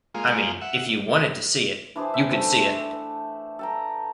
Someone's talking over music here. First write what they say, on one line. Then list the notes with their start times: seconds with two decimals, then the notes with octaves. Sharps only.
I mean, if you wanted to see it, you could see it.
0.14 G#3 A#3 F4
0.61 E5 F#5
1.96 E3 D4 G#4 C5
2.14 E5 G5 G#5
2.32 A3 A4 C5
3.59 A4 G5 A#5